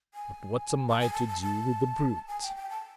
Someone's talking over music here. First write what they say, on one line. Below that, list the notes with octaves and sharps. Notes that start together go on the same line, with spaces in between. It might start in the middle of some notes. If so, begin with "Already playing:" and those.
"But what am I to do with the brute?"
G#5
A5
G#5
A5
A5
A5
G#5
G5
G5
A5